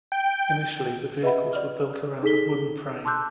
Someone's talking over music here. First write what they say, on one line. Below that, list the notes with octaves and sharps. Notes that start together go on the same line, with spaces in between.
Initially the vehicles were built around a wooden frame.
G5
B4 D#5 E5 F#5 B5
D5 F6
D#4 G#4 A4 B6 G7
A5 C6 D6 E6 F#6 G6